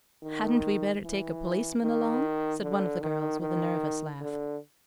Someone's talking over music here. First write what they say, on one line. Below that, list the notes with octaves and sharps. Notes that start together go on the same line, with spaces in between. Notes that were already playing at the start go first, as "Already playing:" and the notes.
"HADN'T we better take a policeman along?" said one of the girls with a nervous laugh.
D#3
E3
D#3
D3
D#3
D#3
D3